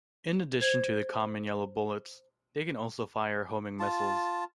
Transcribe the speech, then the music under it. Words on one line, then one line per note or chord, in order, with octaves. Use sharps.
In addition to the common yellow bullets, they can also fire homing missiles.
C5 G#6
F4 A5